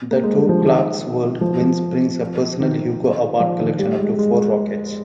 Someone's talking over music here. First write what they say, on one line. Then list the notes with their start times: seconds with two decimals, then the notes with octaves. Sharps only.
The two "Clarkesworld" wins brings her personal Hugo Award collection up to four rockets.
0.11 A#3
0.23 G#3
0.37 G3
0.49 F3
0.62 D#3
1.41 F3
1.61 F3
2.60 D#3
3.40 F3
3.59 D#3
3.79 G3
3.99 G#3
4.19 G#3